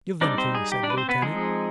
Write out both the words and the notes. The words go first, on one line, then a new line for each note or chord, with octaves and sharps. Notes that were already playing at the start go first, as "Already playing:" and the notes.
"Give them to me," said the Lieutenant.
G3 C4 D4 D#4 D5
C4 C5
G#4
G4
D4 D5
B4
C4 C5
B3 B4
F3 G#3 C4 D#4 G#4